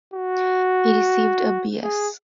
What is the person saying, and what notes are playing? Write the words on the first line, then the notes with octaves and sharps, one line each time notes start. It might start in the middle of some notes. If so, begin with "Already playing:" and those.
He received a B.s.
F#4
G#4